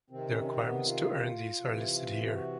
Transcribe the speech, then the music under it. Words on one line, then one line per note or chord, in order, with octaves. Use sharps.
The requirements to earn these are listed here.
C3 D#3 C4
C#4
C#4
C4
B3
F4
C3 E3
F4
F#4